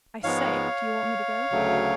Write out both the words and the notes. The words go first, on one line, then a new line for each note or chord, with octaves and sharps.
"I say--do you want me to go?"
G#2 F3 G#3 B3 C#5 F5
D2 C#3 F#3 A3